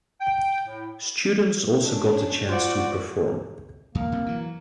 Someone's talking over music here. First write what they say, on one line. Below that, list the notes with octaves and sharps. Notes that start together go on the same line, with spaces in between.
Students also got the chance to perform.
G5
A2
C#4 D4
F4 F#4 C5 D5 F#5
E2 A#3
D1 C3
E3 F#3